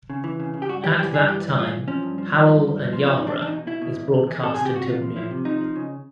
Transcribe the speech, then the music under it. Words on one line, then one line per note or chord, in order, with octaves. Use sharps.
At that time, Howell and Yarbrough is broadcast until noon.
C#3
E3
C#3
C#3
G4
G2 F#4
G2 G4
E3 G4
G2 G#4
E3 G4
G2
E3 F4
E3
F3 C#4
G2
F3
F3
G2
G2
F3
F3
E2 C#4
D#4
E2
D4
E2 D4
D#4
B2
B2 E4
B2
E2
E2
E2
C3 A4
C3 G#4
G4
C3 F#4
E2 F4
F3
F3 E4
C3
F3 D#4
F3
C#3